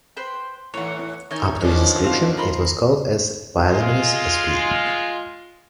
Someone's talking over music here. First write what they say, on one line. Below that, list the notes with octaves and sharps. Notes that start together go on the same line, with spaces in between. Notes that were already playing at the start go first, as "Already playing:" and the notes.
Up to its description it was called as "Pylaemenes" sp.
B4 C5 G5
A2 E3 C#5 F#5
D#3 D#4 C#5 G#5
B2 D#3 F3 C#4 D4
C4 F5
A#4 B5 C6
G#3 F4